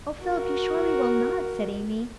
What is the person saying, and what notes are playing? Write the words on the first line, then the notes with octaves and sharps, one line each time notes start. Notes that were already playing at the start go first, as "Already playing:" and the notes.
'O Philip, you surely will not?' said Amy.
F#4 A#4